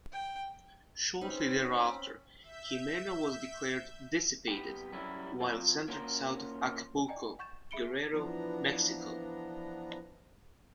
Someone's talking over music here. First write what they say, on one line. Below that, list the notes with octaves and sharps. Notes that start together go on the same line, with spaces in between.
Shortly thereafter, Jimena was declared dissipated while centered south of Acapulco, Guerrero, Mexico.
G5
C4 C#4 D#4 G#4 B4 C5 B5
E5 G6
C2 B3 G4 G5
F#3 G3 C#4 E4 F#4
F#3 C4 F4
A#3 C#4 F4 F#4 A#4
D5 D#5 G5 G#5 A#5
F#5 C#6 G6 A6 E7
G#4 E5 B5 C#7 D7 G7
E3 F3 B3 D4 A#5